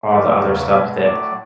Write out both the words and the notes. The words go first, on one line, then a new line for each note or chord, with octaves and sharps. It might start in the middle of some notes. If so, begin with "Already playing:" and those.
all the other stuff that
G2 D3 F3 A3 B4
E2 C#3 F#3 A3 A#4
B2 G#3 E5
A2 F#3 A3 D5